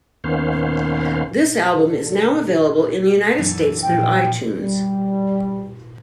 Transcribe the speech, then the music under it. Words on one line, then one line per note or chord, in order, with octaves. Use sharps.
This album is now available in the United States through iTunes.
D#2 D#3 B3 C#4 C5 F5
D3
F#2 D3 E3
A#2 F3 G5
G3